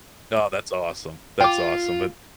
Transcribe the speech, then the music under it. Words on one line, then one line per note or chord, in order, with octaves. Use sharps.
Oh, that's awesome, that's awesome, but
F4 G5 D6